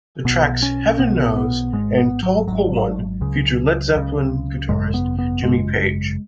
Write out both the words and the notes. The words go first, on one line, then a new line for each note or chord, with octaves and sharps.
The tracks "Heaven Knows" and "Tall Cool One" feature Led Zeppelin guitarist Jimmy Page.
B1 B2 B3
C#4
B1 B2 B3
B3
G#1 G#2 G#3
B3
F#3
G#1 G#2 F#3
C#2 C#3
C#2 C#3
G#1 F#2 C#3 G#3
B3
B3
G#1 F#2 C#3 G#3